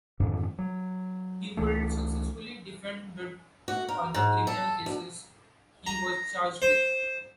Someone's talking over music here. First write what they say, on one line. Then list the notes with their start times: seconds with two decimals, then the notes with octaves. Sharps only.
He would successfully defend the two other criminal cases he was charged with.
0.20 F2 G#2 D3 D#3
0.58 F#3
1.57 C#2 E3 A3
3.68 F#4
3.88 A#4
4.14 G#2
4.47 A4
4.86 D2
5.87 A#5
6.62 C5